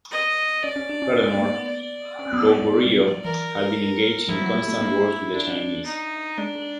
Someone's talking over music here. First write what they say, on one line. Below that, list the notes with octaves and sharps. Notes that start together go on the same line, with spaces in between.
Furthermore, Goguryeo had been engaged in constant wars with the Chinese.
D#5
C#4 D5
C#4
D4
C#4
D4
D#4
A3
A#3
B3
D5
C#4
C4
B3
C4
B3
A#3
G3
F#3
F3
E3 A#4
F3 E4
F#3
G3
A3
A#3
D4
D#4
G#3 D4
G#3